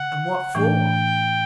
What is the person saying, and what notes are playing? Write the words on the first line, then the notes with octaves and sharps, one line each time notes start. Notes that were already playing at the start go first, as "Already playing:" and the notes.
"And what for?"
Already playing: C#3 F#5
A2 E3 A3 D4 G5